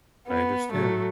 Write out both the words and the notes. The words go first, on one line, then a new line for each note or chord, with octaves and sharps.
I understand.
B3
A2 F#3 A3